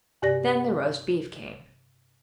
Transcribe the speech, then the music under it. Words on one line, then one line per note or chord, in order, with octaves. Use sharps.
Then the roast beef came.
G2 C3 G4 D5 G#5 A#6